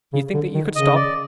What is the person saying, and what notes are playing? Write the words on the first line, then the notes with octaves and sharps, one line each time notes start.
You think that you could stop?
C#3
D3
D#3
C#3 D#5
D5